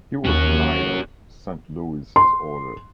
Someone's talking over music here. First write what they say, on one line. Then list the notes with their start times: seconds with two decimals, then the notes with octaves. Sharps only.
He was a knight of Saint-Louis’s order.
0.25 D#2 C#4 F#4
2.16 C6